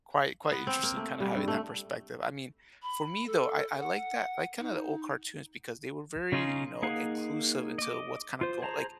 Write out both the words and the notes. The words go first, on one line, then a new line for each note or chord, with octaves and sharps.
quite quite interesting kinda having that perspective. I mean, for me though, I I like that, like kinda the old cartoons because they were very you know inclusive into what's kinda go like
B3
C4
A#3
A3
G3
G2
A3
B5
A4
F#5
D#4
C#3 C#4 D#4 F4 G#4
A#3 D#4 G#4 F5 F#5
D#5 D6
F4 C5
G#4 C5 A5 A#5